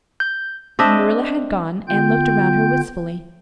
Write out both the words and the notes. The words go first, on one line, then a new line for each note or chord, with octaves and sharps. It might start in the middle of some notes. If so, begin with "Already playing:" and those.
When Marilla had gone Anne looked around her wistfully.
G6
C4 D4 D#5 E5
D3 B3 F4 G5 G6